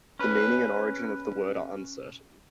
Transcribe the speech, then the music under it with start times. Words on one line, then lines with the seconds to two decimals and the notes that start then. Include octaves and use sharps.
The meaning and origin of the word are uncertain.
0.19 C#4 B4